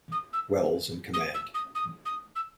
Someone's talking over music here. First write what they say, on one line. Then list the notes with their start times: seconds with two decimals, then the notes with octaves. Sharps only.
Wells in command.
0.12 D#6
0.33 E6
1.14 D#6
1.34 E6
1.54 D#6
1.75 D#6
2.06 D#6
2.36 E6